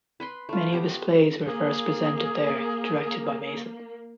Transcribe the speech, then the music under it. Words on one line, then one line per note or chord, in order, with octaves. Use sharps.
Many of his plays were first presented there, directed by Mason.
B4 B5 C6
A3 F4
B3 G4
A#3 G#4